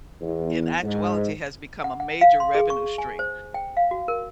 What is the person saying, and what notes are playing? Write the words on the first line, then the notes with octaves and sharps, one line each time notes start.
in actuality has become a major revenue stream.
E2
G#2
F#5
F#5
F5
C6
G#4
C#6
G#5
C5
G5
F5
F#4
A#4